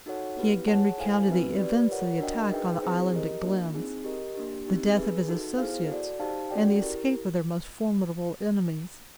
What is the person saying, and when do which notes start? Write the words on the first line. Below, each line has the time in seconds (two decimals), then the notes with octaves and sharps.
He again recounted the events of the attack on the island at Glenn's, the death of his associates and the escape of their most formidable enemies.
0.06 D#4 F#4 A4 C#5 F#5
0.37 B3 E4 G4 B4
0.67 G#4 C#5 F#5 A5
0.98 E4 A4 C5 F5 G#5
1.28 C4 D#4 F#4 B4 E5
1.59 G4 B4 D5
1.90 F4 A#4 C#5 F#5
2.20 D4 F#4 A#4 D#5 G5
2.51 D#4 G#4 B4 E5 G5
2.82 C4 E4 G#4 C5
3.13 G4 A#4 D#5
3.43 A#3 D4 F4
3.74 C4 D#4 G#4
4.04 G4 A#4 D#5
4.35 A#3 D4 G4
4.66 C4 D#4 G4
4.97 G#4 B4 E5
5.28 D#4 F#4 A4
5.58 B3 E4 G#4 C5 F5
5.89 F#4 A4 D5
6.19 D#4 G4 C5 F5 A5
6.50 C#4 F#4 A4 D5 G5
6.81 E4 G4 A#4